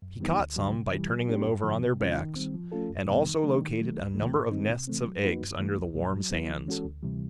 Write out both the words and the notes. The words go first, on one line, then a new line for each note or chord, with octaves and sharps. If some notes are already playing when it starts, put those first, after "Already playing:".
He caught some, by turning them over on their backs, and also located a number of nests of eggs under the warm sands.
F#2
D#3 G3 B3 D#4
D2
D3 F#3
C3
E3 G3
F#3
B3 D4 G4
G2
D3 F3
C3
D#3 G#3 C#4 F4
D#3
G3 C4
F3
A3 C#4 F4 A4
F2
C3 D#3 G3 B3
D#3
F#3 A3 D4
D#3
F#3 A3
C#2
C#3 E3 A3
G#2
D#3 G#3 C4 D#4
C3
E3 A3 C4
F#3
A#3 D#4 F#4 B4
G2
E3 A3
C2
A#2 F#3
F#3
B3 E4
E3
G#3 C#4 F#4 A4
D2
C3 E3 G3